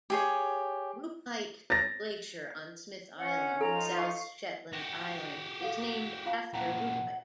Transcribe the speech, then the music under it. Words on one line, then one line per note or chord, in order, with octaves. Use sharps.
Rupite Glacier on Smith Island, South Shetland Islands is named after Rupite.
G4 G#4 C#5
A6 A#6
C#4 F#5
F3 D#4 F4 A4 A#5
F5 C#6
F#4 G4
A4 F5 F#5
F4 F5 A5
A#2 E3 F#5 G5 A5 A#5